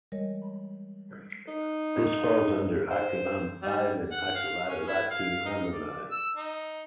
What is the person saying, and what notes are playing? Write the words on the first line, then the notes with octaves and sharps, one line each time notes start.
This falls under Akilam five in Akilattirattu Ammanai.
E3 G3 G#3 A#4 C#5 D#5
D#4
C5
G3
F#5
F5
C#4
E4
F5
D#4
D5
E6
D#4